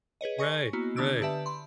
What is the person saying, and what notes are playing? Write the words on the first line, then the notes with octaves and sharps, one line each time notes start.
Right. Right.
G#4 B4 C#5 D#5
D#5 G#5 C#6 A#6 C#7
A#3 B3 E4 F#4
D3 B3 D4 D#6 E6 D7
D3 G4 B4 E5 A5
B5 C6